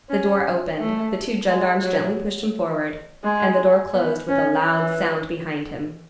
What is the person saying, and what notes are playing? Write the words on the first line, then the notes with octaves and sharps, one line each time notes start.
The door opened, the two gendarmes gently pushed him forward, and the door closed with a loud sound behind him.
C#4
A3
G#3
F#3
G#3
B3
C#4
E3